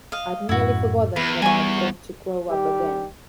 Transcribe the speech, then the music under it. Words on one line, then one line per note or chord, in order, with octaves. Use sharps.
I’d nearly forgotten that I’ve got to grow up again!
D#5 F5
F#2 A2 E4 F#4
E2 B4
G3 G#5 C#6
D#3 G3 G4